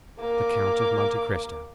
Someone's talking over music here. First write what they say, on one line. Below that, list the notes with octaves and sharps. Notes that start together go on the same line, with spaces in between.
"The Count of Monte Cristo."
A#3 D6